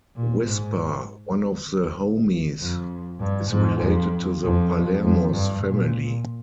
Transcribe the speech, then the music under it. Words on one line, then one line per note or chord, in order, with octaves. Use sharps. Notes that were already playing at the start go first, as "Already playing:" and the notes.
Whisper, one of the Homies, is related to the Palermos family.
A#2
G#2
F2
G2
G#2
F2
F2
F2
G2
A#2